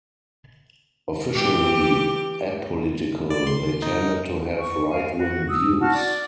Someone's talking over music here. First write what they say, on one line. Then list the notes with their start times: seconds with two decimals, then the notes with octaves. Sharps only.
Officially apolitical, they tended to have right-wing views.
1.33 E3 G4
3.30 D5
3.47 C6
3.82 D#4
4.59 C#6
4.89 F5 G#5
5.18 F#4
5.48 D#6 E6
5.80 F#4 A5 F6
5.94 D5